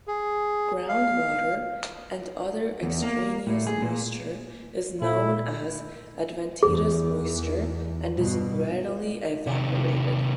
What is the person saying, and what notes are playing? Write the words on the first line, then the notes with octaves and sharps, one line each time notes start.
Groundwater and other extraneous moisture is known as "adventitious moisture" and is readily evaporated.
G#4
F5
E2
A#3
A2
G#4
A#2
A#2 E4 A4
E2 G#4
G2 B2
C3 D#3